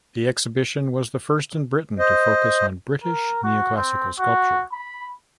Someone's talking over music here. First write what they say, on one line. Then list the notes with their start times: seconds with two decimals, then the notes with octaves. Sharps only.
The exhibition was the first in Britain to focus on British neoclassical sculpture.
1.99 C5 D#5
3.04 A#4
3.44 F#4
3.76 C4
4.19 F#4
4.72 B5